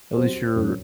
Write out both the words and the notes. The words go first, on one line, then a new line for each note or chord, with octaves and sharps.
At least you're
F#3 C4 F#4 C5
F#2